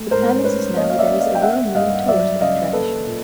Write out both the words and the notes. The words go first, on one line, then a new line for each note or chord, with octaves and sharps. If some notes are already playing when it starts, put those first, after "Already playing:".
The palace is nowadays a well known tourist attraction.
Already playing: A3
G#2 A#4 C5
C#4 B4 C#5
A#3 C#5 D#5
F5
D5 E5
C#4
D#5 F5
G5
A#3 E5 F#5
G2 D#5 F5
F#3 D5 E5
C#3 D#5 F5
A#3 A4 B4
A#2